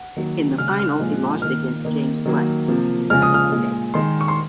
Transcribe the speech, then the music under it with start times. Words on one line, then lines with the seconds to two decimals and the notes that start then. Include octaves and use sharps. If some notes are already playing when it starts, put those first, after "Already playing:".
In the final he lost against James Lutz of the United States.
Already playing: F#5
0.17 D#3 F#3 A#3
0.58 C#3 G#3 F6
0.68 F#6
0.79 F6
1.00 A#2 F3 G#3
1.42 D#3 A#3 F6
1.85 D#3 A#3
2.26 D#3 F#3 A#3
2.68 C3 F3 A#3
3.10 C#3 F3 G#3 F6
3.22 D#6
3.34 F6
3.52 A#2 G#3
3.94 D#3 G#3 C6
4.21 C#6
4.28 C6